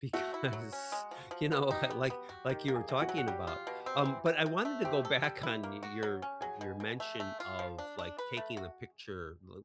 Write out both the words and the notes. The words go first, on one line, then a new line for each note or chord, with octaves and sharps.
because, you know, uh, like like you were talking about. Um, but I wanted to go back on y your your mention of, like, taking the picture, th
A3 F#4 F#5
E4
F#3
C#4
G#3
F3
F3
B3
D#4 G4 G5
B3
B3
F#4
D#3 G4 G5
A#3
G#4 G#5
C3
F#4 F#5
F#3
F#5
G3 G4 G5
F4
B2
C4
E3
C3
C3
A3
C4 G4 G5
A4
G3
E4
A#3
F#4
F#3
C#4
F#3 G#4 G#5
B2
B2
A3
A3
F4
F3
D4
D4
B4
A3
F#4